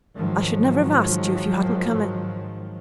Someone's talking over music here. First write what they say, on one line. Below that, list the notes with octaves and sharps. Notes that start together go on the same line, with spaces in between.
'I should never have asked you, if you hadn't come in.
G#2 D#3 F3 F#3